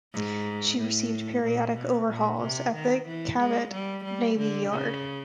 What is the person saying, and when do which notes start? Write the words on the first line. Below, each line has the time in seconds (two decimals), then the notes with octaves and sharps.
She received periodic overhauls at the Cavite Navy Yard.
0.13 G#2
0.79 A2
1.44 A#2
1.76 B2
2.09 A#2
2.41 C3
2.74 D#3
3.07 E3
3.40 G#3
3.72 G3
4.05 G3
4.37 D3
4.70 C#3